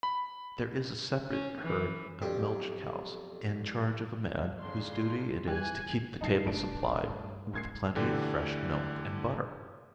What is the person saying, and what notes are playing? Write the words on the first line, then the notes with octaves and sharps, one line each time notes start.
There is a separate herd of milch cows in charge of a man whose duty it is to keep the table supplied with plenty of fresh milk and butter.
B5
C#4
E3
B1 F2 D4 G4 G5
F2 C#3 D4 C6
E3 G3 G#5 F#6
F#3 D#4 A5 C7
E1 A3 D4 D7
G2
F#1 A3 G#6 C7
D3 E3 A3 G4